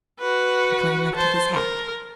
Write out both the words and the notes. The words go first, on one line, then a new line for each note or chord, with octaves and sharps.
McLean lifted his hat.
F#4 B4
C5 A5
A#4